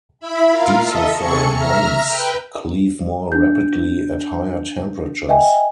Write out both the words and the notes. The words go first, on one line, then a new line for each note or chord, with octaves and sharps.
Disulfide bonds cleave more rapidly at higher temperatures.
E4 E5 B5
F4 A#4 F5
A4 D#5 E5
C3 G#4 A4 C#6 C#7
E5 A#5 F6
B4 G5
D4 G6
D#5 E5 G5 G#5